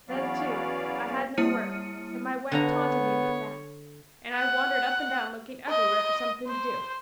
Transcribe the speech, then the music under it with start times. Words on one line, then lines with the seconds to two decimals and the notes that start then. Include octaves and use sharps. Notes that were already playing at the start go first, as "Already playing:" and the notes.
Then too, I had no work, and my wife taunted me with that, and I wandered up and down looking everywhere for something to do.
0.09 E2 F#3 B3 C#4 D5 F5
1.37 G3 A#3 E4 F6 C#7 D#7
2.52 D3 B3 C#5 F5 A#5
4.34 F#5
5.68 D#5
6.47 C5